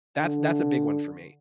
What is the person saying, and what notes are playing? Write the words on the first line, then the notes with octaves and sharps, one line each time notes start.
That's that's a big one for me.
D3